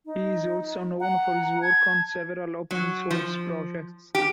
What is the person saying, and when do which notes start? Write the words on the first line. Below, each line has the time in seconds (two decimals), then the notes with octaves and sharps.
He is also known for his work on several open source projects.
0.06 D#4
1.00 F#5 A#5
1.62 A5 G#6
2.71 F#3
3.11 F3
4.15 G4